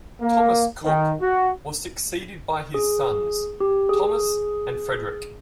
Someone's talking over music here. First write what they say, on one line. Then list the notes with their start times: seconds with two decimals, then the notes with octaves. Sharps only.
Thomas Cooke was succeeded by his sons, Thomas and Frederick.
0.21 A#3
0.84 D#3
1.20 F#4
2.74 G#4
3.60 G4
3.89 G#4